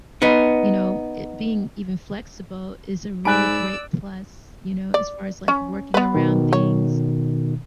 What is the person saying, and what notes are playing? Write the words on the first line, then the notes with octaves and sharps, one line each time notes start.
you know, i being even flexible is a really great plus, you know, as far as, like, working around things.
B3 D#4
G#2 D5 G#5 B5 E6 F#6 D7
D5
C#4
B3 B4
B2 D#3
C#5